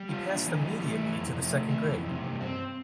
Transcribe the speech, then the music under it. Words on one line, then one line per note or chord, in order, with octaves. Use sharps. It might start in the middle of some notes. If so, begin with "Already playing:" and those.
He passed immediately to the second grade.
Already playing: G3
F4
D4
E3
G3
A3
E3
F2
C3
A3
E3
F2
C3
G2
C4